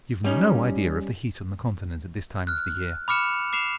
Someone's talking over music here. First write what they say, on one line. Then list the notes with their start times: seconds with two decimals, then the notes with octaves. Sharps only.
You've no idea of the heat on the Continent at this time of the year.
0.24 G3 C#4 D#4
2.47 F6 F#6
3.08 B5 D6 F6 C#7 E7 F7
3.53 D6 C7 E7 F7